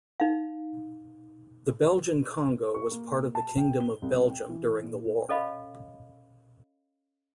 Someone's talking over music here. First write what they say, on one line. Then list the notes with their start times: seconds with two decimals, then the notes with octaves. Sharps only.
The Belgian Congo was part of the Kingdom of Belgium during the war.
0.20 D#4 F5
2.74 C#6
2.91 A#3
3.35 A5
3.58 G5
3.80 G7
4.02 C2
4.30 G5
4.49 E3
4.84 A#2
5.29 C#4 A4 C#5 D#5 F5 B5